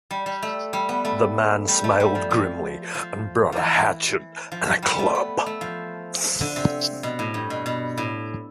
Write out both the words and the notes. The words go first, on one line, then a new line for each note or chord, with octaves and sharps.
The man smiled grimly, and brought a hatchet and a club.
G3
G3
A3
G3
B3
A3
G3
A3
G3
F3
F3
F3
E3 F3
F3
G3
A3
B3
A3
F3
D3
C3
B2
A2
G2
B2
B2
A2